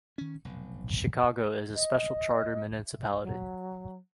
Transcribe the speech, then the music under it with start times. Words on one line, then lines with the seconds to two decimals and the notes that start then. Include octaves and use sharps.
Chicago is a special charter municipality.
0.18 D#3 C#4
0.45 F1 B1
1.75 D#5
3.22 F#3